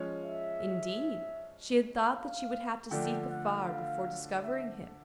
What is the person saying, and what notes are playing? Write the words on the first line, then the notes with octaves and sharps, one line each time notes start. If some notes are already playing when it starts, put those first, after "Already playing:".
Indeed, she had thought that she would have to seek afar before discovering him.
Already playing: F3 G#3 C#4
E5
F5
D3 F3 A3 D4 G5
F#5
F5
E5